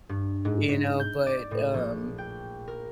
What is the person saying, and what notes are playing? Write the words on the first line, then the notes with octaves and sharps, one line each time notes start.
You know, but, um
G2
G#2
G#2
G6
D5
A2
A#1
G5
A#4